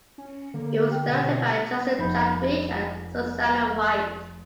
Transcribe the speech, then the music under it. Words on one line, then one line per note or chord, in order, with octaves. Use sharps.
It was directed by Justin Chadwick and Susanna White.
C#4
D3 A#3
G4 G5
B2
F1 D#4 B5 G6